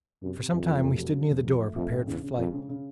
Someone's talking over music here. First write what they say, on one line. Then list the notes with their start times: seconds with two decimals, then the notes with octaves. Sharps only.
For some time we stood near the door, prepared for flight.
0.22 F#2 C3
0.37 C3
0.53 F2 E3
0.69 A3
0.84 F1
0.99 F#3
1.14 C#3
1.30 F1
1.45 F3
1.61 A3
1.76 F2 A3
1.91 A1
2.07 E2 C#3
2.22 C#3
2.38 F2 G#3
2.54 C#3
2.69 C#3